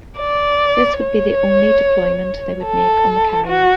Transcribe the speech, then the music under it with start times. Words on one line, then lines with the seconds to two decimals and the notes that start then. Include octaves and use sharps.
This would be the only deployment they would make on the carrier.
0.19 D5
1.00 C#5
2.64 A4
3.46 F#4